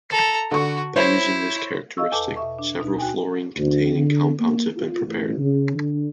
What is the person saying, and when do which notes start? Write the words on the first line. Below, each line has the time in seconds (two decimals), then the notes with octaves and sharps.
By using this characteristic, several fluorine-containing compounds have been prepared.
0.11 A4 A#5
0.51 D3 F#4 C#6
0.96 E4 C5 C#5
1.97 D#5 F5 C#6 E6
2.12 E2 A4 B4 A5 D6
2.36 B2 E5 C#6
2.59 D4
2.78 D2 B2 D#4
2.98 F#4 G5 G#5
3.57 D2
3.95 D3
4.40 A#3
4.77 F4
5.07 A1
5.38 C#3
5.75 D3